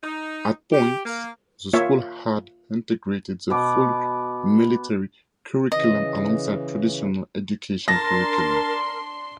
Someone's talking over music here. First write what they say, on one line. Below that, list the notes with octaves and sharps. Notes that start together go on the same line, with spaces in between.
At points the school had integrated the full military curriculum alongside traditional education curriculum.
D#4
G4
A#3
A#3 F4 C#5 E5
B2 D6
C#3 E3 D#5
D4 A#4 A5 C6 A#6